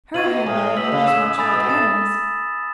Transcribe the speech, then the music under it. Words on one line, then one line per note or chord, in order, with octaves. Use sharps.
Her handwriting was much like Anna's.
B2 C#6 G#6 D#7 F#7
A2 G#5 D#6 G#6
B2 E6 B6 F#7
C#3
A2 C#6 E6 B6 E7
A2 G#5 B5 D#6 A6
B2
A2 D#6 A6 E7